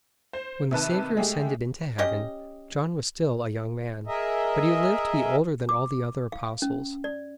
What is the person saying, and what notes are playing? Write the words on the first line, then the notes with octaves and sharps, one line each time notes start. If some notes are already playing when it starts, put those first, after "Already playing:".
When the Saviour ascended into Heaven, John was still a young man, but he lived to be older than all the other Apostles.
C5
C3 D#3 B4 A5
G#3 A3 G4
C#4 G4 D#5
G#4 A#4 D#5 E5
D6
F5
C#4
D5